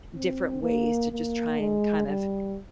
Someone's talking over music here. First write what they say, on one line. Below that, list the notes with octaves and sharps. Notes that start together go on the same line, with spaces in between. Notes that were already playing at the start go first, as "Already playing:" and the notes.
different ways to just try and kind of
C4
A#3
A#3
G#3
G3